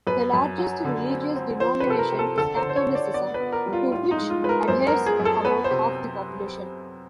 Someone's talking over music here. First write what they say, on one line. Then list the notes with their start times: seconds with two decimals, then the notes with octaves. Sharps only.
The largest religious denomination is Catholicism, to which adheres about half the population.
0.07 F#2 B4
0.33 F#2
0.58 F#3
0.85 D3
1.10 C4
1.36 C4
1.60 F3 C5
1.80 B4
1.87 C3 A4
1.99 A#4
2.12 C3
2.19 A4
2.38 D3 A4
2.56 C5
2.63 D3
2.69 C5
2.76 C#5
2.89 D3
2.95 D5
3.14 B3 D5
3.34 B4
3.40 B3
3.52 A#4
3.66 G3
3.73 F4
3.92 A2 F4
4.11 D#4
4.17 G#3
4.30 F4
4.42 G#3 B4
4.49 A#4
4.68 F#2 C5
4.88 A#4
4.94 B3
5.06 G#4
5.20 F#2
5.25 A4
5.45 B3 B4
5.64 C5
5.71 C3